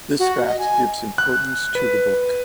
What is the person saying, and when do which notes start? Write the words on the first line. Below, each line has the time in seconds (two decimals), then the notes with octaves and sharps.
This fact gives importance to the book.
0.19 F#4
0.47 D#5
0.59 G#5
1.18 F#6
1.75 B4